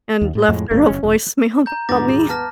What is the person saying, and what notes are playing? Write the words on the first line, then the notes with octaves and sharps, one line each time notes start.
and left her a voicemail about me.
D#2
A2
F2 A2 G#3
D1 G1 G2 A#3
F#1 C#4
E1
A#5 G6
G#2 D3 B3 D6 A6 A#6
D#1 G#4
B3 A5 F6 A#6